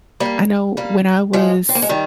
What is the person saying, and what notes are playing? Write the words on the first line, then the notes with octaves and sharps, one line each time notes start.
I know when I was
G3 A#3
G3 A#3
F3 G#3
C4
A#3
G#3
D#3 G3